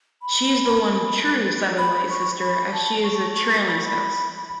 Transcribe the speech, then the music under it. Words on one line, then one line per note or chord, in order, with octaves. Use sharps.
She is the one "true" satellite sister as she is a "trailing spouse".
B5
B5
C#6
B5
A5
C#6
C#6
B5